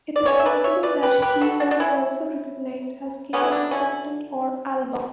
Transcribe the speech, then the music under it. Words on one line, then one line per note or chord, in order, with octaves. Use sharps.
It is possible that he was also recognised as king of Scotland or Alba.
D5
B2 A3 C#4 A4 C#5
E5
B4 D5
C#5 E5
B4 D5
G4 B4
G4 B4
F#4 A4
D4 F#4
D4
C#4 E4
D3 F#3 B3 C#4
E4
D4
C#4 E4